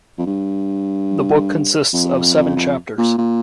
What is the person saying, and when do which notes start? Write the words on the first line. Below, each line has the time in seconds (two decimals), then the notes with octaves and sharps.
The book consists of seven chapters.
0.18 F2
0.26 G2
1.93 F2
2.35 F2
2.56 F2
2.98 A#2
3.18 A#2